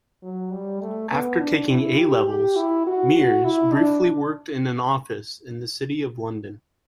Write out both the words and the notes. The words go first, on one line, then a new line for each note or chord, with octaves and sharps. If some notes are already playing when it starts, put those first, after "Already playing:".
After taking A-levels, Mears briefly worked in an office in the City of London.
F#3
G3
A3
B3
D4
E4
G4
G4
E4
F#4
F#4
E4
D4